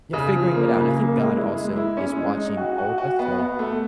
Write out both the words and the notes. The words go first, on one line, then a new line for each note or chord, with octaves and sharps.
you know, figuring it out and I think God also is watching all of us, so,
C#3
F3
A#3
C#3
A#3
G#3
E4
G#3
E4
C#4
G#3
D#4
F#4
F#4
F#4
B3
B3
A3